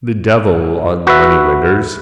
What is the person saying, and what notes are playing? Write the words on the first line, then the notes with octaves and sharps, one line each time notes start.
The devil on moneylenders.
F#4 B4 E5